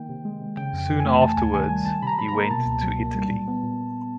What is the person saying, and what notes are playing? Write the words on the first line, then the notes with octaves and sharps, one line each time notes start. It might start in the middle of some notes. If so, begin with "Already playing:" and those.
Soon afterwards he went to Italy.
Already playing: D#3 A#3 G5
C3
G#3
C3
C#3 G5
F2
G5
E3
G#5
A3
C3 A5
D2 G#5
D#3 G#5
G3 G#5
D#3 A5
C3 A#5 B5
F#3 B5
A#5
A#3
B2 A5
C#2
F#3
A#3
G3
A#2
B3
A#2